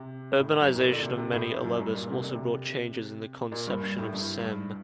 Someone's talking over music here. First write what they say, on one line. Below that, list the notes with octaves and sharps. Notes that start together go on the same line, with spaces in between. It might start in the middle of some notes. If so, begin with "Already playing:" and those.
Urbanization of many Alevis also brought changes in the conception of cem.
Already playing: C3
A2
F#2
A2
A#2
D3
C3
C3
A2
F#2
G2
A#2
C3
D3
C3
A#2
G2
G2
A2
G2